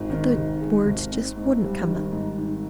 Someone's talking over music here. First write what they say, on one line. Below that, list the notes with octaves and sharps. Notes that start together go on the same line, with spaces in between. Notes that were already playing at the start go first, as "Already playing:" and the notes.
But the words just wouldn't come.
Already playing: G#1 G#3
D#3
G#1
G#3
G#1
C4
G#2
G3
D#3
G#2
D#3